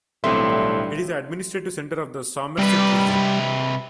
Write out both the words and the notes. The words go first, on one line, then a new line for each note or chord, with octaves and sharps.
It is the administrative centre of the Somerset Region.
B1 A2 D3 E3 G3 C4 E5 C6
C3 G3 B4